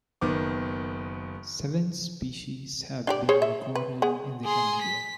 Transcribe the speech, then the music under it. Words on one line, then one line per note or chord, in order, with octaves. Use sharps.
Seven species have been recorded in the Gambia.
F#1 D#3 B3 D6
D4 G4 D5
G#4 C5 C#5
E5
B4
B3 G#4
G#4 C6
B6